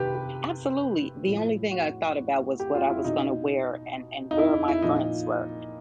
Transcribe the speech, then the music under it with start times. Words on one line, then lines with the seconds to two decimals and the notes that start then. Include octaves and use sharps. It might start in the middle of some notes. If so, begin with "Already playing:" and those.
Absolutely, the only thing I thought about was what I was gonna wear and and where my friends were.
Already playing: C3 D#3 G4 B4
0.15 G4
1.26 A2 F3
1.71 F#4
2.60 G4
2.75 F4
2.89 E4
3.04 B2 D#4
4.31 D#4
4.38 E4
4.53 E4
4.68 E4
4.82 A#2 F3 D#4